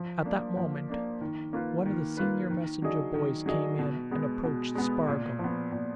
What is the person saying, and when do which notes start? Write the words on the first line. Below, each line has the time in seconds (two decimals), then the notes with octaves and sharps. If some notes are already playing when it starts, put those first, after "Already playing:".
At that moment one of the senior messenger boys came in and approached Spargo.
Already playing: F3
0.25 A#3 D4
0.57 F3
0.89 A#3 D4
1.21 D#3
1.53 A#3 F4 B4
1.86 D#3
2.17 A#3 F4 B4
2.50 D#3
2.82 F#3 D4 G#4 D#5
3.14 D#3
3.46 F#3 D4 G#4 D#5
3.79 B2
4.11 G#3 B3
4.43 B2
4.75 G#3 B3
5.08 A#2
5.39 F3 B3
5.72 A#2